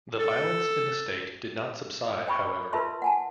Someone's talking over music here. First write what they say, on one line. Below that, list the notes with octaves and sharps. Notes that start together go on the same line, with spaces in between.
The violence in the state did not subside, however.
A4
C5 G5 B5 C#6
F4 A#4 B4 E5 A5 C6
F#5 G#5 A5